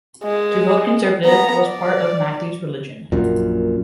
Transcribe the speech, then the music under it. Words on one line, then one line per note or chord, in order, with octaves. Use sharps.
To vote Conservative was part of Matthew’s religion.
G#3
B3 A#5
D5
A#1 F#2 A#2